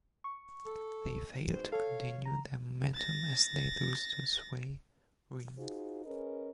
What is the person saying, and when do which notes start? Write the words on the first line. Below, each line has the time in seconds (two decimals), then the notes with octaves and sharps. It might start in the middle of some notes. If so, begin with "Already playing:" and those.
They failed to continue their momentum as they lose to Svay Rieng.
0.24 C#6
0.66 A4
1.52 G#2 B2 C5
1.72 A4 C#5 F5
2.26 A#5
2.94 A6 A#6
5.57 D#4 F4 F#4 G#4 C5
6.05 C#4 G#4 A#4 B4 D#5